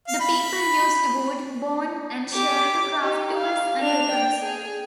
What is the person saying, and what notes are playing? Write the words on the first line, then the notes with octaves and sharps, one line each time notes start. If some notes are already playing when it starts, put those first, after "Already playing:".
The people used wood, bone and shell to craft tools and weapons.
F5
B5
G4 D6
D#4 G4
F5
D4 F7
G5
G#4